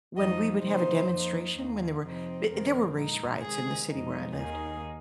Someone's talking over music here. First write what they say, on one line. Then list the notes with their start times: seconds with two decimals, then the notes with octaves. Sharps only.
when we would have a demonstration, when there were b there were race riots in the city where I lived,
0.17 F2 F3 G#3 D#4 D#5
0.64 C3 F3 A#3 D#4 C5
1.10 F2 F3 A#3 D#4
1.57 D#2 D#3 A#3
2.04 F2 C3 F3 C4 D#4
2.50 F2 C3 D#3 C4 A#4
2.97 A#2 G#3 D#4
3.43 C3 D#3 G#3 G#4
3.89 F2 C3 F3 G#3 D#4
4.36 D#2 D#3 A#3 D#4 G#4